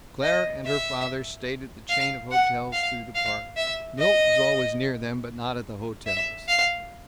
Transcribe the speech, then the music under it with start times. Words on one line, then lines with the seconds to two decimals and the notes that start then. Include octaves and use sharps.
Claire and her father stayed at the chain of hotels through the Park. Milt was always near them, but not at the hotels.
0.23 D#5
0.65 E5
1.90 F5
2.31 F#5
2.73 F5
3.15 F5
3.57 E5
3.99 D#5
6.07 E5
6.48 F5